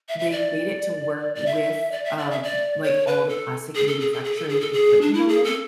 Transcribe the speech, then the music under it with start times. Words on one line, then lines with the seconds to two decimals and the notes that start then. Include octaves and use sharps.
they've made it to work with, um, like, all the plastic manufacturing equipment already,
0.09 E5
0.19 E5
0.32 D5
1.35 D5
1.46 E5
1.92 D5
2.04 E5
2.18 D5
2.31 E5
2.43 D5
2.84 C#5
3.07 B4
3.29 A4
3.75 G#4
3.87 A4
4.00 G#4
4.12 A4
4.24 G#4
4.36 A4
4.49 G#4
4.61 A4
4.73 G#4
5.02 D4
5.14 E4
5.28 G#4
5.44 A4